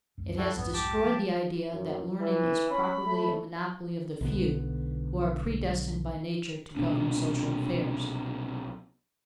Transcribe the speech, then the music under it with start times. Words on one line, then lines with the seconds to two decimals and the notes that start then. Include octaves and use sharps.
It has destroyed the idea that learning is properly a monopoly of the few who are predestined by nature to govern social affairs.
0.18 C#2 F#2
0.38 E4 F#4 A4
0.57 B1 F2 G#2 B3
0.74 G4 A5 D6
1.05 F3
1.72 F#2
2.21 E3
2.70 C#4 B5
3.06 A3
4.21 B1 D3 B3
6.77 C2 B2 B3 D4